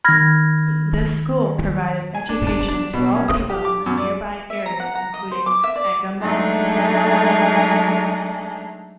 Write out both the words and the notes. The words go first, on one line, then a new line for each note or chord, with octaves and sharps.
This school provided education to all people in the nearby areas including Angamali.
D#3 B5 F6 G#6 A#6
G#5
D4
D4
D4
B2
C#4
D#6
G4
D6
F#2
D5
E5
A#5
F#5
A#5
D#5
C5
D6
E5
D5
F#3 G#3 A3 D4 D#4 G#4